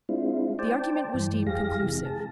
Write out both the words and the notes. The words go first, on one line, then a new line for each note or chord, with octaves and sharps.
The argument was deemed conclusive.
G#3 C4 D4 E4 F4
C5 D5 G5 A5
G2 E3
F2 G4 G#4 F5 A#6
C3 E3 G#3
G#4 A5